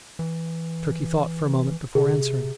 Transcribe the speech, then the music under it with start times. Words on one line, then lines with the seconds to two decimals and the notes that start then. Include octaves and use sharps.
Turkey thought for a moment before answering.
0.19 E3
1.95 C3 G#4